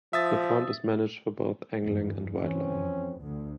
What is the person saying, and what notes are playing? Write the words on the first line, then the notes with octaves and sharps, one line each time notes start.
The pond is managed for both angling and wildlife.
F3 E5 D#6 A6
E2 G2
E3 C4 C#4
F2
D2